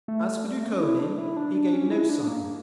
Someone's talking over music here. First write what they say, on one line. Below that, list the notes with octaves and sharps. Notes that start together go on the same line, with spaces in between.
As for Dukhonin, he gave no sign.
A3
G3
A3
A#3
C#4
E4
D4
E4
D4
D4
C#4
E4
E4
D4
A#3